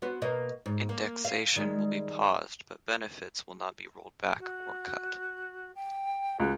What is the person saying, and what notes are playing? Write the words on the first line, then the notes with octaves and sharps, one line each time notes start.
Indexation will be paused but benefits will not be rolled back or cut.
B3 C4 F#4
B2 A#3 D#5
G#2
A#3
F5
D#3 G3 G#3
F#4
G5
C#2 F#4